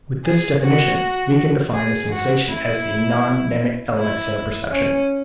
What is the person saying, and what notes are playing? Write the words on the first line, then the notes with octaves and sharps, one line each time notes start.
With this definition, we can define a sensation as the non-mnemic elements in a perception.
G#4
F#4
G#4
F#4
E4
E4
C#4